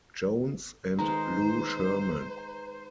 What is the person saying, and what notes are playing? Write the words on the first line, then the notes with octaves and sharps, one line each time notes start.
Jones, and Lou Sherman.
D#3 G#3 B4 C5 A#5